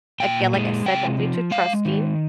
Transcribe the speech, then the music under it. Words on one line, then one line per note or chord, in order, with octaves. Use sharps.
again, like I said, don't be too trusting,
A#2 G5
G#3
C3 G5
F3
G#3 F5
D#3